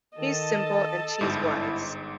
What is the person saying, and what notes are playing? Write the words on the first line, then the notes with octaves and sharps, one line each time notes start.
He's simple and she's wise.
D#3 A4 D#5 A5
G1 G#2 E4